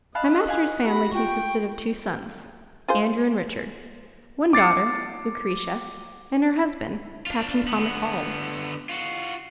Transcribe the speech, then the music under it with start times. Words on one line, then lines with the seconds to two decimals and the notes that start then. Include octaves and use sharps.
My master's family consisted of two sons, Andrew and Richard; one daughter, Lucretia, and her husband, Captain Thomas Auld.
0.15 D#5 F5 A5 B5 F#6
0.47 B4 F5 G#5
0.86 G4 F#5 B5 A#6
1.14 F4 G5 C#6
2.88 F4 G#4 C5
4.53 D6 A6 C7 C#7
7.27 D4 F4
7.67 D3 B3
8.89 F4 F#4